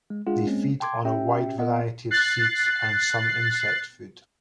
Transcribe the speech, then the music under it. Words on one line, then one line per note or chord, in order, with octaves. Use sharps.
They feed on a wide variety of seeds and some insect food.
G#3
G1 G#3 D4 F4 G#4 F#5
G#3 A#3 C4 C#4
G5 A5 C6 D6 G#6
C#4 G4 E5 G5
B3 D#5 F#5
F#6 A6 C7